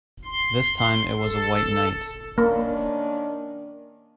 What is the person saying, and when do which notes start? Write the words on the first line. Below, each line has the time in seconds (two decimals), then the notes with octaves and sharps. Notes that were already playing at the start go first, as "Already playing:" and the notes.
This time it was a White Knight.
0.25 C6
1.20 A4
2.38 D#3 A#3 C#4 D4